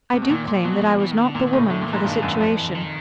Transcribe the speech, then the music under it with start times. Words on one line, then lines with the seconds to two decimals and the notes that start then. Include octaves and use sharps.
I do claim that I was not the woman for the situation.
0.13 C3
0.22 B2
0.30 A#2 D#3
0.47 A#2
0.64 B2 F#3
0.82 F3
0.99 E3
1.12 D#3
1.23 D3
1.34 A#2 D#3
1.46 D#3
1.53 A2
1.58 C#3
1.70 A2 D3
1.81 A#2
1.87 E3
1.93 G#2
2.05 G2 D#3
2.22 F#2
2.40 F2 F3
2.57 E3
2.70 D3
2.75 D#3